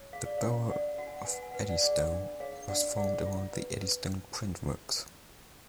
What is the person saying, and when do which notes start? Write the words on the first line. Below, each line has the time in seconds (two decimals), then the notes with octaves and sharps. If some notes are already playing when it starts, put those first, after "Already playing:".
The borough of Eddystone was formed around the Eddystone Print Works.
Already playing: C#5
0.13 G#4 F5
0.25 D5
0.38 C#4 C#5 F5
0.70 A4 D5 F#5
0.98 F#4 F#5
1.07 G#5
1.16 F#5
1.25 B4 G#5
1.34 F#5
1.43 G#5
1.51 B4 F#5
1.60 G#5
1.69 D5 F#5
1.84 G#4 D5
2.12 D4
2.40 G#4 C#5 F5
2.69 D4 D5 F#5
2.97 G#4 D5 F#5
3.25 F4
3.54 B4
3.82 B4